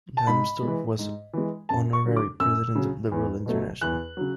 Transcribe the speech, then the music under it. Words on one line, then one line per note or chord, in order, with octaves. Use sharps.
Lambsdorff was honorary president of Liberal International.
A5
G#2 B5
E3 G#3
G#2
E3 G#3
F#2 A5
C#6
D3 F#3
D6
F#2 E6
C#3 F#3
E2
B2 F#3 A3
E2 F#6
C#3 F#3